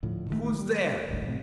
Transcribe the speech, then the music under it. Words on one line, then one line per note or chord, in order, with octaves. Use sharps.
'Who's there?
D2 A2 F3
A1 D#3 F3 A3
G3
D1 G1 D2 G#2
F#2 A2 C3